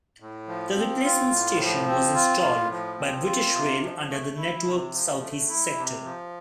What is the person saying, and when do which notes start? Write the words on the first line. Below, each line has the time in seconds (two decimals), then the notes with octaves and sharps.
The replacement station was installed by British Rail under the Network SouthEast sector.
0.20 A2
0.48 F3
0.76 C4
1.04 F4
1.31 A2
1.60 F3
1.88 C4
2.14 F4
2.42 A2
2.71 F3
2.98 C4
3.25 F4
3.54 C3
3.82 F3
4.09 A3
4.37 E4
4.65 C3
4.93 F3
5.20 A3
5.48 E4
5.76 C3
6.04 F3